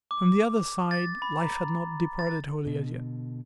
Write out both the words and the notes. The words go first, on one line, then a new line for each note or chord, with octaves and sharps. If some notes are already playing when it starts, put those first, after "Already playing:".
From the other side life had not departed wholly as yet.
D6
A6
B5
A#5
A6
B2 D3